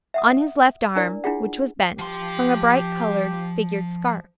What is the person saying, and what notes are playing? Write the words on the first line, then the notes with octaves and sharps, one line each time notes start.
On his left arm, which was bent, hung a bright-coloured, figured scarf.
E5 F#5 D#6
D4 E4 A#4 D5
D4 E4 F4 G#4 F#5
F3 G4 C6